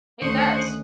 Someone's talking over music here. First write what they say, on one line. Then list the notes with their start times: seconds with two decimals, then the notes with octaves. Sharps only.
It does.
0.22 D2 D#3 C#4 D4 C5 C#6 D#6 F#6